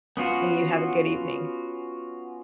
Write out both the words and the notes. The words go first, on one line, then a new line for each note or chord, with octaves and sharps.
And you have a good evening.
B3 C#4 F4 F#4